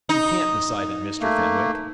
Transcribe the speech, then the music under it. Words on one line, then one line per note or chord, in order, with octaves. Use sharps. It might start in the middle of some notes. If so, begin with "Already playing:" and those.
"We can't," decided Mr. Fenwick.
D#4
A3 A#3